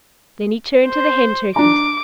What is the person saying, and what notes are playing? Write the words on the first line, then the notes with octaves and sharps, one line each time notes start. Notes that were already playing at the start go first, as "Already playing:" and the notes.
Then he turned to the Hen Turkeys.
C5
D4 A#5 D6